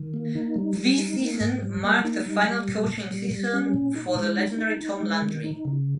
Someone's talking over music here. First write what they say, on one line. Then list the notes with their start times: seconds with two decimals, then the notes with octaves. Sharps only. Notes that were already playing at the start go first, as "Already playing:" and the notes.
This season marked the final coaching season for the legendary Tom Landry.
Already playing: D#3
0.14 A#3
0.35 D#4
0.56 G3
0.77 G3
0.98 D#4
1.19 A#3
1.40 G#2
1.63 G3
1.84 A#3
2.05 D#4
2.26 G3
2.47 G3
2.68 A#2
2.90 A#2
3.11 G3
3.32 G3
3.53 C#4
3.74 A#2
3.96 D#4
4.17 G#3
4.37 D#4
4.58 D#4
4.81 D#4
5.01 G#3
5.22 D#3
5.44 D#4
5.65 C#3